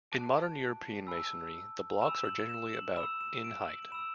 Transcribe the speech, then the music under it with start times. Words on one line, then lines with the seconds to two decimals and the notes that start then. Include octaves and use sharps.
In modern European masonry the blocks are generally about in height.
0.12 A5 D6 F#6 D7
1.07 G#5 B5 E6
2.01 G#5 B5 E6 E7
2.26 F#7
2.49 E7
2.73 F#7
2.97 B5 E6 E7
3.21 E7
3.44 D7
3.68 F#7
3.82 D7
3.92 B5 E6 E7